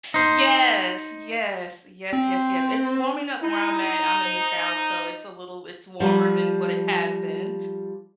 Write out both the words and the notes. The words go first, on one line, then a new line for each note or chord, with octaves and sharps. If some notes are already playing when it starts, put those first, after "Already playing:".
Yes. Yes. Yes, yes, yes. It's warming up where I'm at. I'm in the South, so it's a little it's warmer than what it has been.
D#4 C5
C4
D#4 E4
C5
F3 G3